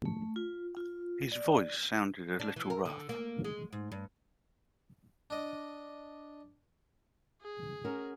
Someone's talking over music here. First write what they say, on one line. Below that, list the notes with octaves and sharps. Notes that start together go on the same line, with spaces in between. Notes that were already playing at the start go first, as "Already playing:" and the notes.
His voice sounded a little rough.
A3
F4
F4
D5
D4
E3
A#4
D3
A#3
G#3
G#2
G2
D4 D#5
G#4
C#4 F#4 A#4